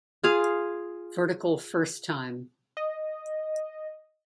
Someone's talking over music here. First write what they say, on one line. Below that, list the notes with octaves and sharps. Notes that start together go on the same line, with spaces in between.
Vertical first time.
F4 G#4 F5
D#5